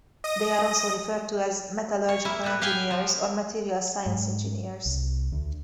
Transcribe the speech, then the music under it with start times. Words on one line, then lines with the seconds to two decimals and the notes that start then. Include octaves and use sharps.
They are also referred to as metallurgical engineers or material science engineers.
0.24 D#5 D#6 A#6
2.09 C#5
2.25 A#3 E4
2.43 A2 B4
2.62 G4 F5 G5 G#5
2.91 F3
4.06 G#2
4.86 C2
5.32 D2